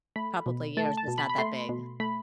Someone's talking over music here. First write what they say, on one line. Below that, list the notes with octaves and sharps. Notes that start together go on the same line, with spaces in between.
Probably yours is not that big.
A3 B5
B2
A3 A5
A5
B2
B5
B5
A3 C6
B2
A3 B5